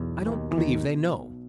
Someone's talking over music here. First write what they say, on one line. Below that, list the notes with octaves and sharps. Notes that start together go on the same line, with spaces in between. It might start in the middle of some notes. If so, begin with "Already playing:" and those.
I don't believe they know.
Already playing: B1 E2 B2
E3
D#2 D#3
E3
D#2 D#3